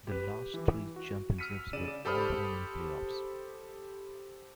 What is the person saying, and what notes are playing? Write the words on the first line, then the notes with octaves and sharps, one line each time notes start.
The last three championships were all won in playoffs.
G4 B4
E3
F#4
E6 F6 B6 C#7 D#7
C#3 D5 D#7 E7
G4 A4 C5 B5 D#6 F6